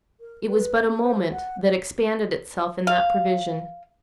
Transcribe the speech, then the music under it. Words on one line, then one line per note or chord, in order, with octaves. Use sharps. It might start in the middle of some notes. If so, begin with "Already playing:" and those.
It was but a moment that expanded itself in that prevision.
A#4
B4
A4
C5
F#5
F5